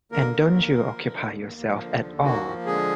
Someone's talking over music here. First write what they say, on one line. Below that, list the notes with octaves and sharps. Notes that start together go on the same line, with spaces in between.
And don't you occupy yourself at all?
D3 A#3 A#4
D#2
A#3
F3
D3
D#2
A#3
F3
D3
D#2
A#3 F#4
F3
D3 G#3 G#4